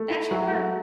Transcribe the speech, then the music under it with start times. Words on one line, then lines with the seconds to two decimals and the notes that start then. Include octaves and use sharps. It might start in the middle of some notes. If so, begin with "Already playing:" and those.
That should work.
Already playing: A3
0.10 E4
0.31 F#3
0.51 A3